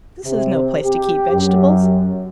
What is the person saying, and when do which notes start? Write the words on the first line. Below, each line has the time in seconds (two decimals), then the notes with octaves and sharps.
This is no place to keep vegetables.
0.25 C3
0.82 G4
1.32 F#2